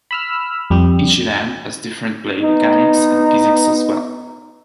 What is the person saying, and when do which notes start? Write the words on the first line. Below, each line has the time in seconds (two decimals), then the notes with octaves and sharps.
Each event has different play mechanics and physics as well.
0.11 B5 E6 F6
0.70 F2 G3 G4
2.41 B3 D#4